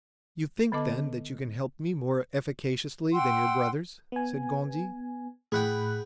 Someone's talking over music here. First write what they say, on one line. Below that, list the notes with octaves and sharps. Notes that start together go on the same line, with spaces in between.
"You think, then, that you can help me more efficaciously than your brothers?" said Gondy.
D3 B3 A4 D#5 A5 D6
F#5 G5 C6 E6
B3 G#5
A2 G#4 F#5 G5 B5 F#6